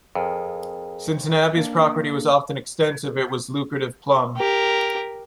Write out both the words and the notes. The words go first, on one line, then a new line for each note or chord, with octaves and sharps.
Since an abbey's property was often extensive, it was lucrative plum.
F2 G#4 A#4
A#3 D4
G4 A#4